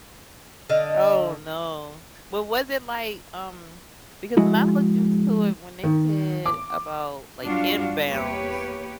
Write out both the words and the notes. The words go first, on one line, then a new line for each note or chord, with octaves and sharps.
Oh, no. But, was it, like, um, because when I looked int to it, when they said about, like, inbounds,
D3 D#5 F5
F3 G#3 E4 F#4 G#4
D#3
D6
G2 F#3 D4 F4 F#4 F5
D4
E2 A#3 G4 B4 C#5